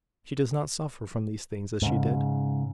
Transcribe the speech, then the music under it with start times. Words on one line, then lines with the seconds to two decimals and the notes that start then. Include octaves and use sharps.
She does not suffer from these things as she did.
1.82 G#2 C#3